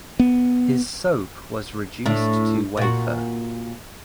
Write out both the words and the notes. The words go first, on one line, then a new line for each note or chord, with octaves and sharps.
His soap was reduced to wafer.
B3
A2 D4
A#2 F#4